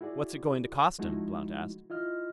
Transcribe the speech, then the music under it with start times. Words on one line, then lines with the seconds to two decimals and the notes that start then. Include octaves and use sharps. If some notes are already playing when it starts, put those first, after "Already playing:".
"What's it going to cost him?" Blount asked.
0.01 E4 F#4 G#4 D5
0.99 F3 G#3 A3 D#4 E4 F#4
1.90 E4 F4 D#5 F6